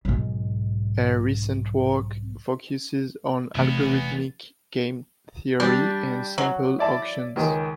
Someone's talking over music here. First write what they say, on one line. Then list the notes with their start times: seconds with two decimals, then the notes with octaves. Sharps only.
Her recent work focuses on algorithmic game theory and simple auctions.
0.05 B1 G#2
3.55 E1 E2 C3 A3 B3
5.60 G3 D4
6.38 F#3
6.79 E4 D5 A5
7.36 C#2 D#3 G#3